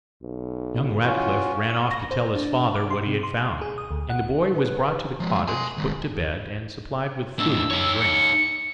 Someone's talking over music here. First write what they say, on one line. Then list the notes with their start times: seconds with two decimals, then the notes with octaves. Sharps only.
Young Ratcliff ran off to tell his father what he had found; and the boy was brought to the cottage, put to bed, and supplied with food and drink.
0.22 B1
1.04 E3 C#4 F4 F#4
1.70 C#6
1.91 A#6
2.11 C5
2.36 D4
2.76 D6
2.90 C6
3.07 C3
3.23 C6
3.61 G#4
3.78 D#6
3.91 D2
4.10 F#5
4.53 B4
5.20 F3 G#3
5.48 G#5 C6
5.78 D#3 G#3
7.39 A2 D4 E6
7.71 D#4 C#5
8.01 C#7